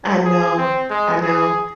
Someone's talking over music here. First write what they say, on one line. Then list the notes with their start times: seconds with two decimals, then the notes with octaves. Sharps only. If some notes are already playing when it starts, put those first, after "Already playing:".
I know, I know.
0.25 G#4
0.57 C4
0.90 G#3
1.23 G#4